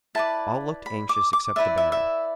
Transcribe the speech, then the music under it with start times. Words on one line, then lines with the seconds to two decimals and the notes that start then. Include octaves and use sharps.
All looked anxious except the baron.
0.15 E4 B4 D5 A5
0.86 B5
1.09 D6
1.33 D6
1.56 E4 B4 D5 E5
1.78 E5
1.92 E5